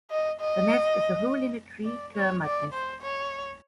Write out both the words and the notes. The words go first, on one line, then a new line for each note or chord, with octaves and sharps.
The nest is a hole in a tree termite nest.
D#5
D#5
D5
C#5
D5
C5
C#5